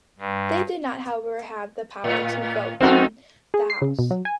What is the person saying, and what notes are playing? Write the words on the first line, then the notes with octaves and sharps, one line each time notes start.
They did not, however, have the power to vote in the House.
G2
A2
F2 C4 D#4 F#4 A4
G#4
C7
C#3
B2
F#3
G#5